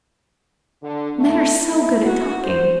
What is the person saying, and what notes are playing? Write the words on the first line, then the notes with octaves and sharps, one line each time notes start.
Men are so good at talking!
D3
A3
E4
F#4
C5